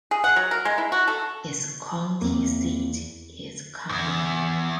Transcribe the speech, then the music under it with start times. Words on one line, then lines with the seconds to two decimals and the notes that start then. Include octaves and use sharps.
Its county seat is Carmi.
0.11 G#4
0.24 F#5
0.36 F#3
0.51 A#4
0.65 G#3
0.78 E4
0.92 F#4
1.08 A4
2.22 E2 A#3 C4
3.89 E2 G#2